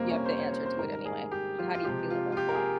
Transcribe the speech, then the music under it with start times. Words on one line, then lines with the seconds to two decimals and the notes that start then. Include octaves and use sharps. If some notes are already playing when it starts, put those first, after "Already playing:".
you have to answer to it anyway. So how do you feel about that?
Already playing: F2 C3 G3 A#3 C4
0.09 C#4
0.25 C5
0.39 C#5
0.53 C5
0.66 C5
0.78 G#2 D#3 G3 A#4
0.93 A#4
1.05 G#4
1.31 G4
1.58 F4
1.75 F4
1.84 C3 F3 G#3 G4
2.10 F4
2.32 F4
2.37 G4
2.49 A#4
2.54 G#4